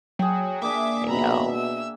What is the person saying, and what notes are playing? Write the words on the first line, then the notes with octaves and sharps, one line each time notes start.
I know.
F#3 G#4 G5
A#3 D4 G#4 E5 D6
B2 A#5 B5
E5 E6